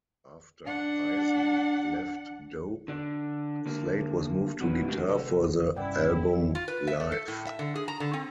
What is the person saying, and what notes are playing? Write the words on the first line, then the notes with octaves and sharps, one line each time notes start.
After Eisen left Dope, Slade was moved to guitar for the album "Life".
D4 F#5
D3 D4
D3 A#3
B2 D#3 E3 B3
C3 F#3 A3 A#3 D4 G4
C3 A4
C2 G2 C#4 E4 D5 F#5 G5
F4
B4
E5
A3
A4
A2
E5
D3
G#4
A#5
D3
C4